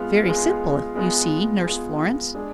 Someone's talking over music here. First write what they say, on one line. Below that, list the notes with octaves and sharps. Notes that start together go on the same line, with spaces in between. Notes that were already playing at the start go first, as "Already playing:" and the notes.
Very simple, you see, Nurse Florence!
Already playing: G#3 B3 F4 G#4
G#3 B3 F4 G#4
G#3 B3 F4 G#4
G#3 B3 F4 G#4
G#3 D4 G#4